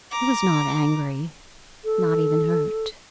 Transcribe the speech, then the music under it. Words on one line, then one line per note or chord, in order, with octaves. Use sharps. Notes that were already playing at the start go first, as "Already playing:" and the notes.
She was not angry, not even hurt.
A#5 D6
A4